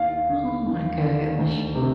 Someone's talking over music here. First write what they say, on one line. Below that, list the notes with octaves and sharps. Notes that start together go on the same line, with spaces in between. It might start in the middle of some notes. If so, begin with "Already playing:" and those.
oh my golly,
Already playing: D#2 F5
D3
D#2
D#3
D2
C3 D#3